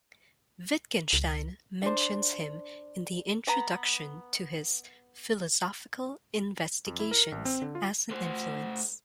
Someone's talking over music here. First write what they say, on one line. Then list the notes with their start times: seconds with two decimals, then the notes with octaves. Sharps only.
Wittgenstein mentions him in the introduction to his "Philosophical Investigations" as an influence.
1.13 C#2
1.83 D4 C5
3.47 B3 A#5
6.86 F2
7.00 E4
7.11 A#4
7.32 A1
7.45 C4
7.62 D3
7.75 F4
8.10 A3 C5